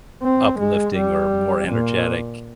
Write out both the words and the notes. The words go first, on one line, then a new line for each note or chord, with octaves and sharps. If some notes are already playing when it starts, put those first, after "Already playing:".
uplifting or more energetic.
C4
G#3
G3
A#2